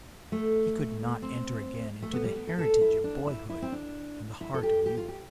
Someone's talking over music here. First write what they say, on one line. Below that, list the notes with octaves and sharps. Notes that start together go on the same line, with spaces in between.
He could not enter again into the heritage of boyhood and the heart of youth.
A3
C4
A3
B3
G3
B3
A4
A4
E4
D4
E4
E4
C4
D4
E4
A4
G4
G4
F4
G4